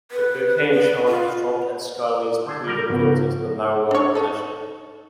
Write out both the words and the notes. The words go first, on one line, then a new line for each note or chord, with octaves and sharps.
The cocaine charge was dropped, and Skiles pleaded guilty to the marijuana possession.
B4
B4
F4
D3 G#4 A5 G6
G3 A#4
G#2 C#3 F3 B3 F#4
D4 C#5
D#4 A4